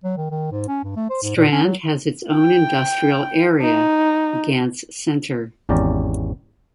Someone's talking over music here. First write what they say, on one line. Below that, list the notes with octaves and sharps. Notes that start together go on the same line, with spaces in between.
Strand has its own industrial area, Gants Centre.
F#3
D#3
D#3
G#2
C#4
G2
A3
C5
G#2
A#2
C#4
F#3
G5
D#4
G#1 E2 C#4 G4 D5 A#5